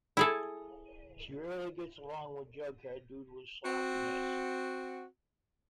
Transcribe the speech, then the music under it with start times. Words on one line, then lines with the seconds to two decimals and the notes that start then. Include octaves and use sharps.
She rarely gets along with Jughead due to his sloppiness.
0.17 E4 G#4 A4
3.65 C4 F#4